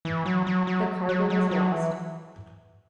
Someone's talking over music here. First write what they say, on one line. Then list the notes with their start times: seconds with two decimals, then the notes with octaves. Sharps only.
The cargo was lost.
0.05 E3
0.26 F#3
0.47 F#3
0.67 F#3
1.09 F#3
1.30 F#3
1.51 F#3
1.72 E3